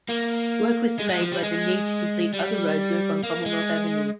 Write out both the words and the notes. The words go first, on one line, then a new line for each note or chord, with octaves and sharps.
Work was delayed by the need to complete other roadwork on Commonwealth Avenue.
A#3
G#3
G#3
F3
G3
G#3
G3
A#3
G#3